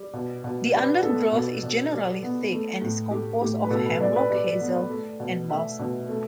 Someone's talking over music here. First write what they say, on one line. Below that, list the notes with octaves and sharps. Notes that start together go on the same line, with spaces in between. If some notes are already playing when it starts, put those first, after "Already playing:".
The undergrowth is generally thick and is composed of Hemlock Hazel and Balsam.
Already playing: G3
B2
B2
G3 B4
B3 A4
B2
B2
G3
B3
A3
A2
A3 G4
A2 G4
B4
B2 A4
B4
B2 D5
B4
G3 D5
B3
A3
B2
A3 E5
B2
A3